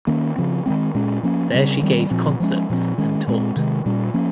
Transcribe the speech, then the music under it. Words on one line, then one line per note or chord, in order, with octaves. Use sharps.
There she gave concerts and taught.
D#3 A#3 C#4
C#3 F3 C4
D#3 G#3 C4
A#2 G#3 C#4
F3 A#3 C#4
C#3 G3 C4
D#3 G3 C4
A#2 F3 C4
F3 G#3 C#4
A#2 F3 C4
D#3 G#3 C#4
A#2 G#3 C4
C3 D#3 G#3
A#2 G3 C#4
F3 A#3 C#4